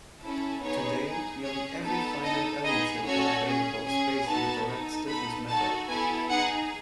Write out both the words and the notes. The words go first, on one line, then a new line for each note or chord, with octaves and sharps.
Today, nearly every finite element solver available is based on the direct stiffness method.
C#4 E4 A4
B3 D#4 G#4 C#5
D#4 G#4
C#4 G#4 C#5
B3 D#4 A4
D#4 A4 D#5
B3 D#4 G#4 D#5
C#4 F#4 A4 C#5
C#4 G#4
C#4 G#4 G#5
B3 D#4 F#4 A4 A5
D#4 A4
B3 D#4 A4 B5
D#4 F#4 A4 A5
B3 E4 A4 G#5
D#4 G#4 F#5